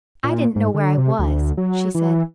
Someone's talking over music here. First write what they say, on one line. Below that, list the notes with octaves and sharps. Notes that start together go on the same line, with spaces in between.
"I didn't know where I was," she said.
A#2
G#2
D3
C3
D2
F#3
E3